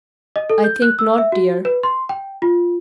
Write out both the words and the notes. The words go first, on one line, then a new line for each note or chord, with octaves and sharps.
'I think not, dear.
D#5
A4
G6
F#6
E6
E5
F#4
B4
C6
G5
F4